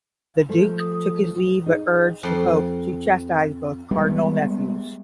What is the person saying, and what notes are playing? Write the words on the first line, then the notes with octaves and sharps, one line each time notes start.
The Duke took his leave but urged the Pope to chastise both Cardinal-nephews.
F3 A3
D#6
D#4 G#4
F2 C6
G3 G#3 B3